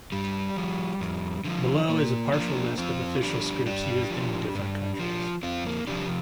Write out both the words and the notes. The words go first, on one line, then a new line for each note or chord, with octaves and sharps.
Below is a partial list of official scripts used in different countries.
G2 G3
F3
F2
D3 F3
A#2 A#3
F3 A#3 D4
F2 C4 F4
D3 F3 D4 G4
G2 D4 G4
F3
G2
F3
F2 C4 F4
A#3
C3 F3 D4 G4